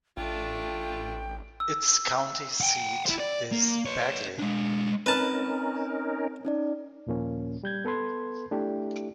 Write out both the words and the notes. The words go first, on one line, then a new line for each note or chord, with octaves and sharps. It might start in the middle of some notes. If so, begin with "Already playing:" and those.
Its county seat is Bagley.
A1 A3 D4 F4 G5
E6
F#5 G5
E4 C5
D5
A#3
B4 C#5
G#3 D4
C4 C#4 D#4 A#4 B4 A5 A#5 F6
C#4 D#4 D5
D#2 A#2 F3 A#3 C#4
G3 G6 G#6
B3 A4 B4 C6 G#6
A3 D4 E4 G4